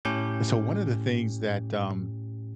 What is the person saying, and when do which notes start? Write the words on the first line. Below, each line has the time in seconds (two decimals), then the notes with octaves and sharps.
So, one of the things that, um,
0.05 A2 C#4 G4 D6 G6